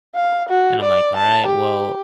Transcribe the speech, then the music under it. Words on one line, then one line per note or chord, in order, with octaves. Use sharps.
And I'm like, "Alright, well"
F5
F#4
D5
A5
G4